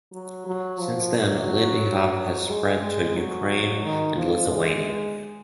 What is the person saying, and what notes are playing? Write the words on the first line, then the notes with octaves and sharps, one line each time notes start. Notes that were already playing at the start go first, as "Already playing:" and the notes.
Since then, Lindy Hop has spread to Ukraine and Lithuania.
F#3
F#3
F3
F#3
G#3
G#3
F#3
D#3
F3
G#3